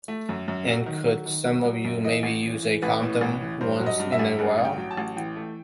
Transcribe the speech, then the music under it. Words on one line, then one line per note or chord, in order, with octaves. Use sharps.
And could some of you maybe use a condom once in a while?
A3
F#2
F#2
F#3
D#3
F#3
D#3
F#3
F#3
F#2
E3 D#5
A1
E3
E3
A1 B4
A2
A1
E3
G2 C5
F#3
D#5
G2
E5
A1
G2 F#5
A1
G5
F#3
A5
A1
E3 G5
A3